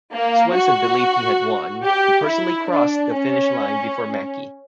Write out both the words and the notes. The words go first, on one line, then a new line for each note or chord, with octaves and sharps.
Swenson believed he had won-he personally crossed the finish line before Mackey.
A#3
F#4
G4
E4
D4
C#4